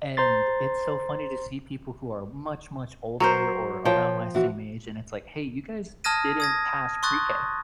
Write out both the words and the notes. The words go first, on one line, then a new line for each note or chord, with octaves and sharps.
And it's so funny to see people who are much, much older, or around my same age, and it's like, "Hey, you guys didn't pass Pre-K,"
C5 A#5 C6 A6
F#3 A#4 C5
F3 A#4 C#5 G5
E3 F#4
A5 D#6 F6 G#6 A#6 D#7
D#6 G#6 A#6
C6 C#6 D#6 F#6 A6